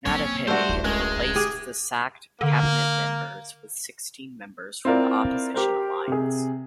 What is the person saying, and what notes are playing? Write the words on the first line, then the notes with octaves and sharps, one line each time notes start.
Natapei replaced the sacked cabinet members with sixteen members from the opposition Alliance.
F#3 A#3 C4 C#4 C#5
G2 A3 F#4 C5
D1 A1
C#2 D#3 G#3
G4 G#4
D3 A#3
C4 E4 F4 A#4 D5
G4 A#4 C5
C3 G#4